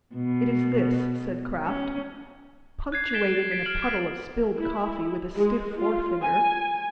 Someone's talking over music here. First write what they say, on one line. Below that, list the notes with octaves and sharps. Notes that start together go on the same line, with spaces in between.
"It is this," said Kraft, punctuating in a puddle of spilled coffee with a stiff forefinger.
B2
C#4
F#6 G#6 C7
G#6 A6 B6 D7 E7 G7
A6
A6 B6 D7
F6 G#6 C7 D7 F#7
D6 G#6 D7
E4
G#3
F4
G#5